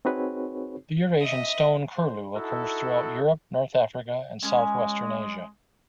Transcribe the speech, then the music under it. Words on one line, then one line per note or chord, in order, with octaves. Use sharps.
The Eurasian stone curlew occurs throughout Europe, north Africa and southwestern Asia.
C4 D#4 F#4 G#4 B4 C#5
D#5 E5
C5
D#4 E4 F#4 A4
G#3 C#4 G#5